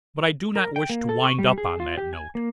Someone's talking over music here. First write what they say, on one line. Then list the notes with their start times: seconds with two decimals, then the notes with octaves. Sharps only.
But I do not wish to wind up on that note.
0.56 A#4
0.76 G5
0.90 A#3
1.09 A4
1.24 C#6
1.39 G3
1.58 G#4
1.80 F4
1.97 G4
2.13 G#5
2.35 A#3